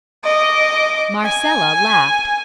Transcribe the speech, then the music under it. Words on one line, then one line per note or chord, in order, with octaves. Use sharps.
Marcella laughed.
D#5 D6
G#5